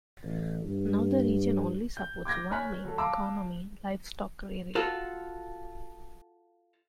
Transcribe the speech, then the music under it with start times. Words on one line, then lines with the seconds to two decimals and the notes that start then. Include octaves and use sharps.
Now the region only supports one main economy, livestock rearing.
0.23 A1
0.64 G2
1.97 G6
2.25 D6 G6 G#6 A#6
2.51 C#5 G#5 A#5 F6 F#6 B6
2.85 F#3 A4
2.98 F5 A5 A#5 D6 E6
4.75 F4 F#4 A4